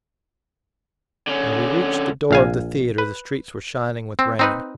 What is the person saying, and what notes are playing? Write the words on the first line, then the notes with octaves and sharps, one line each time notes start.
When we reached the door of the theater, the streets were shining with rain.
D3 C#4
A#1 F5 G#5
B4
C4
C4 D#4 B4